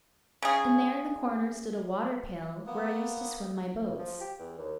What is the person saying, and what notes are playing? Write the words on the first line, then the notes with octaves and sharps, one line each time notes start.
'And there in the corner stood a waterpail, where I used to swim my boats.'
C#3 G#4
A#3 B3
C#2
F3
G4
E2
D#2